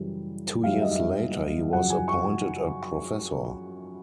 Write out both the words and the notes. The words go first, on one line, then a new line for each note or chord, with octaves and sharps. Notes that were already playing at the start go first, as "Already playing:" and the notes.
Two years later he was appointed a professor.
Already playing: F#2 C#3 E3 G3
F#2 D#3 G3 F5
E5
D#5
E5
F#2 C#3 F3 F#5
G#5
C#6